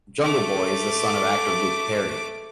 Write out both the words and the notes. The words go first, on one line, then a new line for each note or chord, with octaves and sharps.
Jungle Boy is the son of actor Luke Perry.
A3 D6